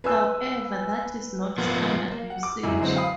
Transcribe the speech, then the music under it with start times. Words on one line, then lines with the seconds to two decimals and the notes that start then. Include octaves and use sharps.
However, that is not standard usage.
0.04 B4 G#5 E6
1.58 F3 A#3 B3
2.11 A#3
2.30 F#5
2.43 D6
2.63 F1 F#2 F#3 G#3 E4
2.81 D3 E3 F#3 G#3 C4
2.96 F5 B5 D#6